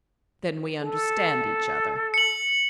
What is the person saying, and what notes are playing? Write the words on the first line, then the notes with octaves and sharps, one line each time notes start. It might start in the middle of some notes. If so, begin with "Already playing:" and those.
"Then we understand each other."
A4
C#7 F#7